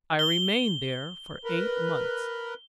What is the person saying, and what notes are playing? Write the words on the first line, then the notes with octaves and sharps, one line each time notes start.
I remained there for eight months.
G7
A#4 B4